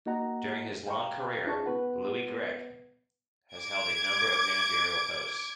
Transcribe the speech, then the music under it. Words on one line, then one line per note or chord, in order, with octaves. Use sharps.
During his long career, Louis Grech has held a number of managerial posts.
A#3 D#4 F#4 D#5 F#5 A#5
F5 G5 A#5 C#6
C#4 D#4 F4 G#4 A5 C#6
B3 B4 F#5
D6 G#6 D7